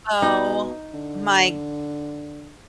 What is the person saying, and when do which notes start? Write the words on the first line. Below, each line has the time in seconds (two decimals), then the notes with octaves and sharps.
Oh, my
0.22 B2 D#4
0.94 D3